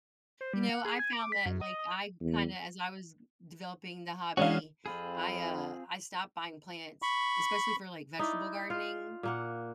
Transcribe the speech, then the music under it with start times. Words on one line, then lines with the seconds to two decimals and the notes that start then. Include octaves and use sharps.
You know, I've found that, like, I kinda as I was developing the hobby, I, uh, I stopped buying plants, especially for, like, vegetable gardening,
0.41 C5
0.54 G3
0.69 F#5
0.85 G#4
0.99 G#5
1.13 D6
1.32 B6
1.46 F#2
1.61 D#5
1.79 D#5
2.20 E2
4.37 E3 G#3 C#4 D4 F#4 F5
4.86 F2 C4 F4 G#4 B5
7.02 B5 C#6
8.19 D#4 E4 D5
8.70 F4
9.23 A#2 A#3 F#5